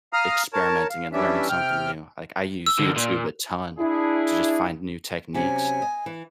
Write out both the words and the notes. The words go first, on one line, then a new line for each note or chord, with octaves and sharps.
experimenting and learning something new. Like, I use YouTube a ton to just find new techniques,
F5 A#5 D#6 F6
A#4 C#5 A5
F5
E3 G3 C#4 D4 E5
C3 G5 F6
E6
D3 D#3
A#2
D4 E4 G#4
C3 F#3 C#4 G#5
D#5
E3